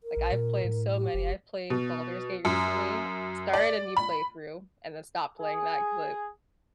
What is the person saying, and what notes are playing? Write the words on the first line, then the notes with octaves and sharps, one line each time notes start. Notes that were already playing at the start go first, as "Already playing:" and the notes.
like, I've played so many. I've played Baldur's Gate recently. Started a new playthrough and then stopped playing that 'cause, I
A#4
A#1
A#2
A2
G4
F#1
B2
F#2
D5
B5
G#4